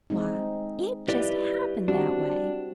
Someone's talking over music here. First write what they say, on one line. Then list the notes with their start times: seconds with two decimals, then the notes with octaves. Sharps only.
Why, it just happened that way.
0.10 G#3 C4 D#4
1.08 E4 G4 B4 D5
1.88 G3 C4 D4 F#4